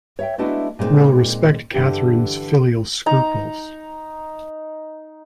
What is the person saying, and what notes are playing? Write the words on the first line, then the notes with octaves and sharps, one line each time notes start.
We’ll respect Catherine’s filial scruples.
C#5 E5 G5
G#3 A3 B3 D4 E4 F#4
A#2 G#3 A3 C4 D#4
G2 D3 E3 G4
D#4 A#5